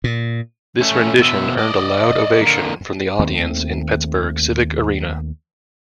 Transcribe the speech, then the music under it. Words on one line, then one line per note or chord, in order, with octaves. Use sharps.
This rendition earned a loud ovation from the audience in Pittsburgh's Civic Arena.
A#2
A3 C#4
B2 E5
D5 D#5
D3 A#3
D#2 D#3 A3 C4